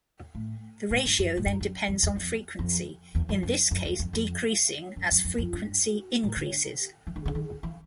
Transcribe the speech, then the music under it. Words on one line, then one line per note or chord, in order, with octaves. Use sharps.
The ratio then depends on frequency, in this case decreasing as frequency increases.
A2
A2
G2
F#2
A2
G2
F#2
F2
E2
F2
F2
E2
F2
F#2
F#2
E2
F2
F2
F#2
F#2
F2
F2
G2
A2
D3
E3
D#3
D3
D#3
E3